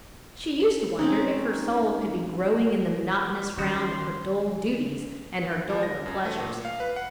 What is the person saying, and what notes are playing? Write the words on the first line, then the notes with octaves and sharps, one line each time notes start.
She used to wonder if her soul could be growing in the monotonous round of her dull duties and her duller pleasures.
C4 C#4 D#4
F#2 D#3 F#3 D#4 F#4 C6
F3
A#6
F#2
A3
A#2
F5
B4
F#5